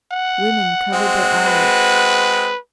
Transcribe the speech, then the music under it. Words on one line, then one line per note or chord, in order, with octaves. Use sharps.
Women covered their eyes.
F#5
G#3 C4 F#4
B4